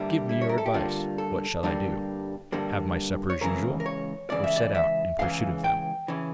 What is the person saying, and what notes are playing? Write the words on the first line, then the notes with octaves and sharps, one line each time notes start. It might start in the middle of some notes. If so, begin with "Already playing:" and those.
'Give me your advice; what shall I do--have my supper as usual, or set out in pursuit of them?'
Already playing: G2 D3 G3 A#3 E4
E4
C#5
A#4
A4
G4
G2 D3 G3 A#3 F4
A4
G2 D3 G3 A#3
G2 D3 G3 A#3
C#5
C#2 C#3 E3 A#4
A#4
C#5
C#2 C#3 E3 D5
E5
D5
E5
C#2 C#3 E3 F5
G5
C#3 E3